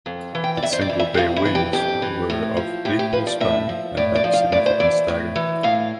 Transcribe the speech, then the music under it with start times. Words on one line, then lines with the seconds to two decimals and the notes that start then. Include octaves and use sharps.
Its single bay wings were of equal-span and had significant stagger.
0.06 F2
0.35 E3
0.44 G5
0.57 D5
0.63 F2 E5
0.73 C5
0.81 D5
0.89 E3
0.99 E5
1.14 G4
1.17 F2 F4
1.36 E4
1.45 E3
1.55 G4
1.73 F2 G4
2.02 E3
2.30 A2
2.57 F3
2.85 A2 G4
2.99 G4
3.13 F3 B4
3.27 D5
3.40 A2 E5
3.69 F3
3.97 A2 D5
4.16 D5
4.24 F3
4.33 F5
4.52 A2 D5
4.66 C5
4.80 E3 D5
5.08 A2
5.36 E3
5.63 A2 F5